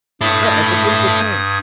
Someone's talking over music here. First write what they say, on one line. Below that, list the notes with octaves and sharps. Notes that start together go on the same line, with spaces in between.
Eh, no, it's a beautiful thing,
G2 A3 E4 D#6 G#6